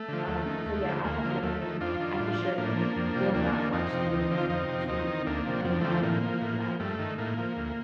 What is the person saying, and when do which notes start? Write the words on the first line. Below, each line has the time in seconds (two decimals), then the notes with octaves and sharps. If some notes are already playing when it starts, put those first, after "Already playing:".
um, so yeah, I have learned I for sure can will not watch the news to unwind and relax,
Already playing: A3
0.08 D3 F3
0.27 D#2
0.47 D#3
0.65 D#2
0.85 D3 F3
1.04 D#2 A#3
1.24 D3 F3
1.42 D#2 A3
1.62 D#3
1.80 F2 D4 F4
2.00 D#3
2.19 A2
2.39 F3
2.58 A2 A#3 D4
2.77 F3
2.96 F2
3.15 C3 F3
3.34 D#2 A#3 D4
3.54 D#3
3.73 F2 C4 D#4
3.92 C3 F3
4.11 D2
4.30 D3 F3
4.38 F4
4.49 F2 C4 D#4
4.69 C3 F3
4.88 D#2 C4 D#4
5.07 D#3
5.26 D2 A#3 D4
5.45 C3 F3
5.64 F2 C4
5.73 D4
5.81 D3 F3 A3 C4
6.03 A2 A#3
6.23 F3
6.41 A2
6.61 F3
6.80 G2 A3
6.99 D#3
7.18 A2 A#3
7.38 F3
7.57 D2